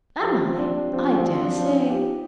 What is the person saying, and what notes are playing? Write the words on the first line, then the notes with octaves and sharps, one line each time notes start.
'Am I? I dare say.
F3 G4
C4
D4
F3 C4
C4
D4
D#4
G4